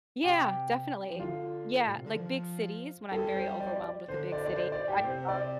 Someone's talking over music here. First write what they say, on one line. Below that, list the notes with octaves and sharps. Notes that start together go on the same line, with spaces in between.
Yeah. Definitely. Yeah. Like, big cities when I'm very overwhelmed with a big city. I love
C3 G4
F3
D3 F4
A2
C3
D3
F3
G3 A4
C5
D5
D5
D3 C5
D5
D5
C5
D5
G4
A2
C3 C5
D5